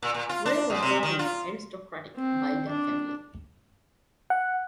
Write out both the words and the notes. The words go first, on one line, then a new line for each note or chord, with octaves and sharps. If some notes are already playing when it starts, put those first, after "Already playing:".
Ray was born in an aristocratic Baidya family.
A#2
A#2
F4
D4
F#2
C3
D#3
F4
C4
D4
F#5